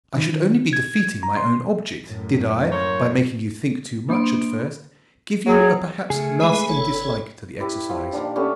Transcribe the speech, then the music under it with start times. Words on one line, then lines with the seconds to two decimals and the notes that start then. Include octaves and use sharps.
I should only be defeating my own object did I, by making you think too much at first, give you a perhaps, lasting dislike to the exercise.
0.16 D#3
0.73 G#6
1.23 A#5
1.37 C6
2.05 F#2 A2
2.72 A#3 C5 C#5
4.09 A#3 D4 B5 C6 D7
5.46 F#3 G#4
6.10 C#3 A3 G#4
6.40 G#3 B4 B5
6.69 G1 A4 C#5
7.60 E4 G4 B4
7.89 F3
8.13 A#2 D#3 D4
8.36 A3 B3 C#4 G4